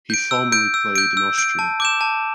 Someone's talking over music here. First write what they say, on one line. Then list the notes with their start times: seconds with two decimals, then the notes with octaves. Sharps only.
He formerly played in Austria.
0.10 G6 D7
0.31 E6
0.52 G6 D7
0.74 E6
0.96 G6 D7
1.17 E6
1.37 G6 D7
1.59 A5
1.80 D6 G6 E7
2.01 A5